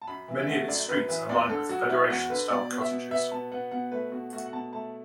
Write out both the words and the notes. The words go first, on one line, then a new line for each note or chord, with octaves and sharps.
Many of its streets are lined with Federation style cottages.
A5
F#2 B5
E3
E5
A3 F#5
F#2 D5
F#2 B4
E3 B4
E2 D5
D3 A4
F#3 F#4
B3 E4
E2 F#4
D3 B4
B2 D5
B3
E5
B2
B3 E5
B2 A5
B3 F#5
B2 F#5
A3 B4
B2 F#4
A3 F#4
F#5
B2 A5
A3 A5